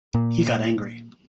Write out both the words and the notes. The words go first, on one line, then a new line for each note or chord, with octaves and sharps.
He got angry.
A#2